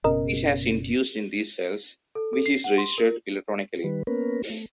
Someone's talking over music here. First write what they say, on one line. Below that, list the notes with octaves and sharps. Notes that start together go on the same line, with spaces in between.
A voltage is induced in these cells, which is registered electronically.
F#1 B2 C#4 A#4 D#5
A4
A4
C7
F#5
C6
A#4
D#3 G3 B4
A#3 B3 C#4 A#4 B4
A3